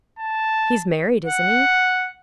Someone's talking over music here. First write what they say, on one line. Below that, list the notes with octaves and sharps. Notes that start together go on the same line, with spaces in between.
'He's married, isn't he?
A5
F#5